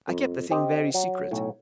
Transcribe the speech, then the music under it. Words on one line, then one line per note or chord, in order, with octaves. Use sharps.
I kept the thing very secret.
F2
C4 G4 D#5
F#3
B1 A2 C#5